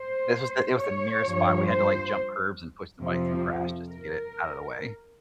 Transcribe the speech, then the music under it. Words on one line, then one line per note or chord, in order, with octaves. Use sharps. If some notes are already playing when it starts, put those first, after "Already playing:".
This was the it was the nearest spot, we had to like jump curbs and push the bike through grass just to get it out of the way.
Already playing: C5
C#5
G2 F3
C5
F2 C3 F3
A#4